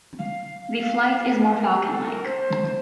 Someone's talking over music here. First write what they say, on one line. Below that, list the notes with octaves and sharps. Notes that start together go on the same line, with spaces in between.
The flight is more falcon-like.
F5
A#4
G4
A4
A#4
C5